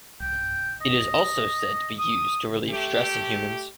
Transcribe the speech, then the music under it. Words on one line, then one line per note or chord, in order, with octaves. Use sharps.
It is also said to be used to relieve stress in humans.
G5
D#5
D#6
A3 G4